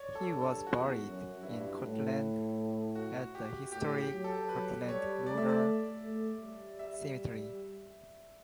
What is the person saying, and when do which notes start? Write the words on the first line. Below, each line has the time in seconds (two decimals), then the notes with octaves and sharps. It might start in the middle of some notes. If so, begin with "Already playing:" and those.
He was buried in Cortland at the historic Cortland Rural Cemetery.
Already playing: C#5 D5
0.15 A4
0.28 G2
0.41 A4
0.66 E2 F#4
1.04 F#2
1.43 G2 E4
1.81 A2
2.95 F#4
3.35 G4
3.72 A2 G4
3.98 G4
4.12 F#3
4.24 A4
4.49 F#3 B4
4.87 G3 C#5
5.26 A3 D5
5.38 E5
5.49 D5
6.03 A3
6.41 G3
6.79 E5